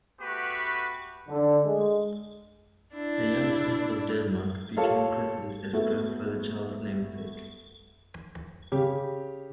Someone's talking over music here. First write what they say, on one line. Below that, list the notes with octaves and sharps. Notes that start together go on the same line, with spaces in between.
The young Prince of Denmark became christened as grandfather Charles' namesake.
A3 B3 F#4 G4 B4
D3
G#3
D4 E4
F4 G4 A4 C#5 F5
A3 B3 F#4 A4 E5
C#3 G4